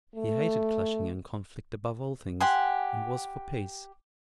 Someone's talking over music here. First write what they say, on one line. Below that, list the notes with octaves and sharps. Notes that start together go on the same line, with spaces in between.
He hated clashing and conflict above all things, and was for peace.
A3
G4 F#5 G#5 C6